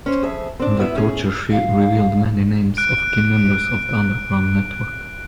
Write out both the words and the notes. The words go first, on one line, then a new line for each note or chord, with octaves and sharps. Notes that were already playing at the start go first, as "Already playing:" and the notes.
Under torture she revealed many names of key members of the underground network.
C#4 C5
F2 G#4 E5
C4 D4
B3 E4 E5
C#4 G#4
F5
F#6 D7